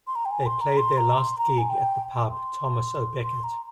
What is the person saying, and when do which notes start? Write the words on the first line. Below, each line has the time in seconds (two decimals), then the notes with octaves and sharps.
They played their last gig at the pub Thomas O'Becket.
0.07 C6
0.15 A#5
0.25 G5
0.31 G#5
0.46 C6
0.61 A#5
0.77 C6
0.98 A#5
1.18 C6
1.38 A#5
1.58 G#5
1.70 G5
2.31 C6
3.23 C6
3.44 A#5